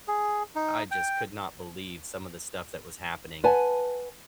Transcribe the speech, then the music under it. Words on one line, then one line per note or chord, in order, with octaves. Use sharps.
I just could not believe some of the stuff that was happening,
G#4
D#4
G5
B4 F#5 G#5 A5